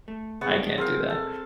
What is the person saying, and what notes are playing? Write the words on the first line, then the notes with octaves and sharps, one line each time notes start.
I can't do that.
A3
C3 B3 G#4 F#5 C#6
G#3 D4 D5
C4 G#4 A#4 F5
A4